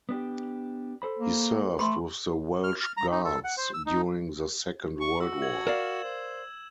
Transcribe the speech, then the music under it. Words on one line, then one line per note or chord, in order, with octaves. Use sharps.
He served with the Welsh Guards during the Second World War.
B3 D4 G4
A4 C5 B5
A#3
A3 B5 C6
F6
F6
A#5
D#4
A4
F#5
C5
E6
D#4
C#6
F#4 E6
G#6 F#7
A#4 D5 F5 E7
C5